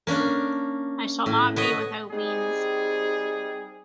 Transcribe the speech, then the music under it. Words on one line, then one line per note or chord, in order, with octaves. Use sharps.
I shall not be without means.
A#3 C#4 D4
A2
B3 C#5 D#5
G3 C4 D#4 G#4